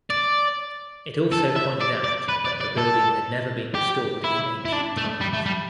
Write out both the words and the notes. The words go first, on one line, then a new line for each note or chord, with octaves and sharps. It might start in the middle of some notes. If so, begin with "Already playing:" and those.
It also pointed out that the building had never been restored in ancient times.
D5
A4
E5
D5
D5
B4
D5
D5
A4
G4
E4
E4
D4
A3
G3
A3
G3